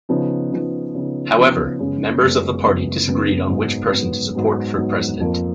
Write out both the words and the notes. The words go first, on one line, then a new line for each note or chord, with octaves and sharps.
However, members of the party disagreed on which person to support for president.
C#3 F3 B3 D#4
C#3 F3 B3 D#4
C#3 F3 B3 D#4
C#3 F3 B3 D#4
F#2 C#3 G#3 B3
F#2 C#3 G#3 B3
F#2 C#3 G#3 B3
F#2 C#3 G#3 B3
G#2 F#3 B3
G#2 F#3 B3
G#2 F#3 B3
G#2 F#3 B3
F2 F3 A#3